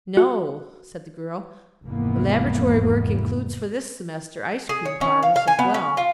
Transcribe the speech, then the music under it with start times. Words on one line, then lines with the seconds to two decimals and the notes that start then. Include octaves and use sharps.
"No," said the girl, "the laboratory work includes for this semester ice-cream parlours as well."
0.17 F#4
1.85 F1 E2 G#2 E3 A#3 B3
4.69 G#4
4.85 C#5
5.01 C#4
5.23 F5
5.36 F5
5.48 G#5
5.59 B3
5.74 C#4
5.97 F4